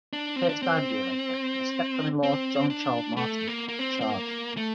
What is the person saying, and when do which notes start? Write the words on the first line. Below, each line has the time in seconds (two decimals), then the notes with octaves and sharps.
Curtis died a year later and his stepson-in-law, John Charles Martin, took charge.
0.13 D4
0.36 C4
0.49 D4
0.62 C4
2.23 C4
2.70 D4
3.17 A3
3.48 A#3
3.69 A#3
3.79 C4
4.01 C4
4.10 A#3
4.57 A3